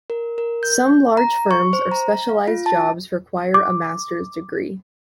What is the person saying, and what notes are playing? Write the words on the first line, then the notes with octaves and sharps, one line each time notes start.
Some large firms or specialized jobs require a master's degree.
A#4
A#4
G6
A#5
C#6
C5
A#5
F5
F4
A5
D6